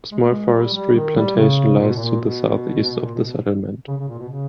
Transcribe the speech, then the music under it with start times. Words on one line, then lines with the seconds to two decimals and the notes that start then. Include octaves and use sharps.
A small forestry plantation lies to the southeast of the settlement.
0.11 G#3
0.20 A#3
0.29 G#3
0.54 G3
0.74 G3
0.95 D#3
1.16 G3
1.37 C#3
1.79 A#2
1.87 B2
1.96 A#2
2.21 B2
3.04 A#2
3.15 B2
3.25 B2
3.88 C#3
3.98 C#3
4.09 A#2
4.19 B2
4.29 C#3